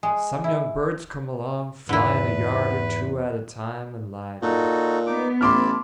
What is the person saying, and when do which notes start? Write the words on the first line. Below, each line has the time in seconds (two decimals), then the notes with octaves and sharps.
Some young birds come along, flying a yard or two at a time and lighting.
0.03 G#3
0.44 E4
1.89 E2 G#2 D3 E4 B4
4.42 A#2 D#4 F#4 A4
5.07 B3 D#4 D6
5.41 A1 E4 A5 B5 C6 D6 F6